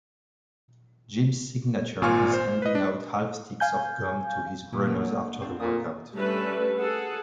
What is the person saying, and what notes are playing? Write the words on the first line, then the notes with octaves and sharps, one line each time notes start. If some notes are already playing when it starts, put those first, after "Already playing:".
Jim's signature is handing out half-sticks of gum to his runners after the workout.
G#1 A#2 F4 G#5 C#6 F6
C5
B4 D#5
D4
F5 G#5 G6
A#2 E3 D6 D#6
D2 A#3 D4
C4 D4 F4
A#2 D#6
G3 A3 C#4 D4 A4 B4
G#4 A4 F#5